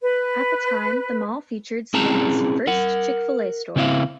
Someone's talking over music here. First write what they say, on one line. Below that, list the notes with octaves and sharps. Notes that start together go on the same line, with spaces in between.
At the time, the mall featured Savannah's first Chick Fil-A store.
B4
C4 C#4 E4 G#4 A5 A#5
A#4 F#5
C#3 C4 E4 F5